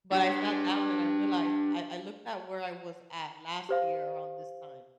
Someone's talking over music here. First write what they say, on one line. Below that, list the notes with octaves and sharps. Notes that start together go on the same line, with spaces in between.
But, I sat down and I realized I I looked at where I was at last year around this time
D4 G4
G4 C5 F5